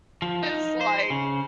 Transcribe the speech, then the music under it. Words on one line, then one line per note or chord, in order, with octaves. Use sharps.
it's like
F3
D#4
C5
C#3